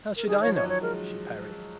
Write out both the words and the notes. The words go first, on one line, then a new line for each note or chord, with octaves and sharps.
"How should I know?" she parried.
A#4
D#3 G#4
C#5
F3
C#5
F#3
C#5
G#3 A#4